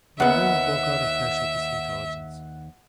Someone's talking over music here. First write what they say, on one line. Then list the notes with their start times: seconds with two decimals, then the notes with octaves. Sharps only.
My wounds broke out afresh at this intelligence.
0.20 D#2 B3 E5 F#5